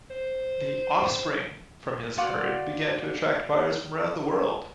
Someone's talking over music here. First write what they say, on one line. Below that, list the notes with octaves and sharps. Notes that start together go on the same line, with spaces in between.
The offspring from his herd began to attract buyers from around the world.
C5
F4 F#4 D5 F#5